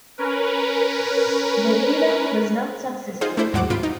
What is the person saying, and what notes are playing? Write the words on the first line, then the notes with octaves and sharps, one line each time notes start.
The revamp was not successful.
C#4 A#4 B4
D#4 F4 G#4 C5
A3 D4 E4 C5
D#2 G#2 F3 F#3 F#5 D6
D#2 G#2 C3 F4 B5 D7
D#4